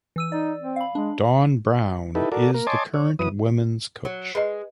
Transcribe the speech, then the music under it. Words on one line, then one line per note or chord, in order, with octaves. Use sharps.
Dawn Brown is the current women's coach.
E3 E6 D#7
D#4 D5
C4
F5 B5
G#3 D4
D#4 E4 G4 A4 B4
F#4 A4 A#4 D5
A#3 A#4
C#5 D#5 G#5 A5 C6 D6
C#5
F#2 E3 B4 D#6
F#3
G#3 B4 D#5